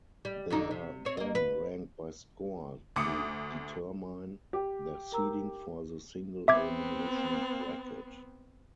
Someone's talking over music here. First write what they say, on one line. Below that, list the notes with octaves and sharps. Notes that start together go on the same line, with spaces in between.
They are then ranked by score to determine their seeding for the single-elimination bracket.
G3
F2 D3 D#4
C3
C4 C#5
A#3 D#5
B4
D2 D6 D#6 C#7
G4
A#4 A#5 E6
B3 C4 E5 D6 G#6